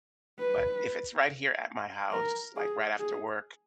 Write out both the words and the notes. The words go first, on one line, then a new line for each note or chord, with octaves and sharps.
but if it's right here at my house, like, right after work,
B4
A#4
G#4
G#4